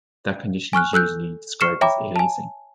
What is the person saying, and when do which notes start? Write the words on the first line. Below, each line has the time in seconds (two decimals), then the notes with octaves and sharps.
That condition is usually described as "aliasing".
0.73 G#5 C#6 F6 F#6
0.93 A4 E6 F#6 G6
1.61 C#6 F6 C7 C#7 E7
1.81 C#5 E5 G5 A#5 B5 D6
2.16 G#5 A5